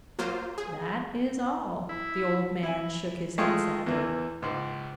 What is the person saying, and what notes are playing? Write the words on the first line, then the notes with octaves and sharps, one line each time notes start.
"That is all." The old man shook his head sadly.
F#3 A#3 F4 C5
G#4
E4
E4 G#5
G#3 A3 F4 G5 C#6 D#6
E2 E3 A#4
C#2 G#2